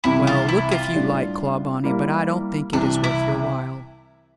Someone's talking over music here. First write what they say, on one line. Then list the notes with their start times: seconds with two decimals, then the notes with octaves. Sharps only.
"Well, look if you like, Clawbonny, but I don't think it is worth your while."
0.04 C2 C3 E3 E4
0.27 F4
0.48 E4
0.71 F4
0.94 A2 G3 D4
1.84 G3 A#3 E4
2.73 C2 C3 E3 D4
3.04 E4